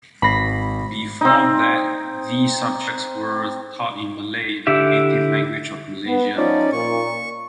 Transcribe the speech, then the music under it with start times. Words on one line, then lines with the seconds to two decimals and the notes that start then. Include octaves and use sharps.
Before that, the subjects were taught in Malay, the native language of Malaysia.
0.22 G#1 B5 A#6 C7
1.21 C4 D#4
4.67 D3 E4 G4 E5
6.06 B3
6.36 F3 C#4 D#4 D5
6.72 A#2 C#6